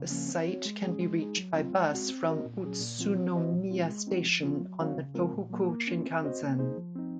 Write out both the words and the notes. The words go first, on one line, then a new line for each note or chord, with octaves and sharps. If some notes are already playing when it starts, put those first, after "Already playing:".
The site can be reached by bus from Utsunomiya Station on the Tohoku Shinkansen.
Already playing: C#3
F3 A#3 C#4
C4
F#4 C#5
G#3
C#4 G#4
G#3
D#4 G#4
F#3
C4 F4
G#3
C4 F#4
C4
D#4 F#4 A#4 D#5
A#2
F#3 C#4 G#4
A#2
F3 C4 F4
C4
F#4 C5 D#5
A#2
G#3 C4 F4
G#3
C4 D#4 F#4
F3
C4 F4
F#3
C4 F#4 C#5 F5
C#3
G#3 C4 F4 A#4
A#2
F#3 A#3
A#3
C#4 F4
C4
F#4 C5 D#5
A#3
D#4 G#4 C5
F3
C4 D#4